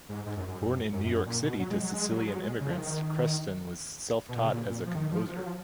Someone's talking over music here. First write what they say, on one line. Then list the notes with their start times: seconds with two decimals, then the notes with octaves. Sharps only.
Born in New York City to Sicilian immigrants, Creston was self-taught as a composer.
0.09 G#2
0.26 G#2
0.37 F#2
0.48 F#2
0.93 F#2
1.04 F#2
1.15 F#2
1.27 A#2
1.43 B2
1.59 F#3
1.70 G#3
1.83 F#3
1.94 G#3
2.11 F#3
2.27 G#3
2.35 F#3
2.43 G#3
2.61 C#3
2.71 F3
2.78 D#3
4.29 B2
4.36 A#2
4.45 C#3
4.53 A#2
4.70 A#2
4.86 F3
4.95 D#3
5.12 F3
5.29 F3
5.37 F#3
5.46 F3